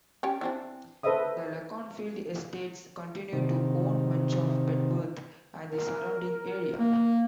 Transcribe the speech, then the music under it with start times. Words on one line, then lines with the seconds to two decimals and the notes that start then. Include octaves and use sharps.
The Leconfield Estates continue to own much of Petworth and the surrounding area.
0.23 C#4 G4
0.41 E3 C4 D4
1.03 A4 B4 C5 D#5 E5 D#6
3.33 C3 D#3
5.70 A#4
6.79 A#3